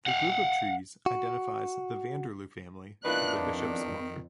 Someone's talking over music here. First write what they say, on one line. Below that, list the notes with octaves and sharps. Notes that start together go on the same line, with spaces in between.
The group of trees identifies the Vanderloo family of the Bishop's mother.
F5 F#5
F#4
D#3 D4 E4 F4 B4 F#6
F2